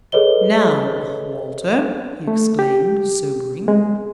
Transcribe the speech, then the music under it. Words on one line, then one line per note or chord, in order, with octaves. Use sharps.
"Now, Walter!" he exclaimed, sobering.
G#4 A4 B4 C#5 D#5 G7
A3
G4
G#3